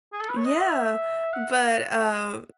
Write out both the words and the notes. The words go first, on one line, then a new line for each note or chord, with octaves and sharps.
Yeah, but, uh,
G#4
A4
B4
C#5
D#5
E5
F#5